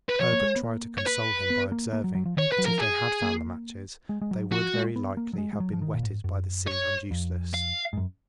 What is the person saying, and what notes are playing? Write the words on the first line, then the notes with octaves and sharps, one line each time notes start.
Herbert tried to console him by observing, that if they had found the matches, they would, very likely, have been wetted by the sea and useless.
B4
F3 C#5
A#3
G#3
B3
A#3
C#5
B4
B3
A#3
A#3
F#3
F#3
F3
D#3 C#5
B4
F#3
F3 A#4
G#4
A#3
G#3
G#3
F#3
F3 F#4
G#3
B3
A#3
F#3
G#3
G#3
F#3
F3
D#3
A#2
G#2
F#2
C#5
F2
F5
G#2
F#2